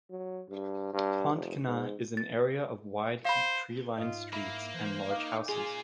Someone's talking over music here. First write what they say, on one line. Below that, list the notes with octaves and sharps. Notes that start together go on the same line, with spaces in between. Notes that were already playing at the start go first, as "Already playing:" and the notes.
Pontcanna is an area of wide tree-lined streets and large houses.
F#3
G2
G2
F1
G#2
A6
C5 F5 B5
G#2 F4 D#5
A#3 E4 B5
E3 C5
D#4 F5 D6
F4 G#4 A#4 G#5